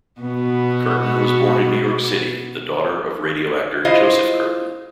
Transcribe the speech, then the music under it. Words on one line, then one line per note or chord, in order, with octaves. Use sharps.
Curtin was born in New York City, the daughter of radio actor Joseph Curtin.
B2 B3 F#4
E4 F4 G#4 C5 D#5 F5